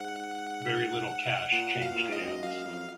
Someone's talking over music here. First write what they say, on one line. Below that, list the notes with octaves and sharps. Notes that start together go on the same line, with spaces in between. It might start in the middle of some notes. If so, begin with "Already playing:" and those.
Very little cash changed hands.
Already playing: G#2 F#5
A#2 F#5
B2
F5
B2
A#2
G#2 D#5
F#2
F#2 F5
F2